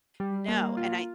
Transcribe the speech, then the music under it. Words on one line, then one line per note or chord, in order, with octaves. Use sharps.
No, and I
G3
A#3
F4